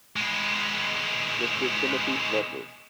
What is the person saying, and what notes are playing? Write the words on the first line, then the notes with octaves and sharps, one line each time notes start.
Mr. Timothy Bloodworth.
G#3 B3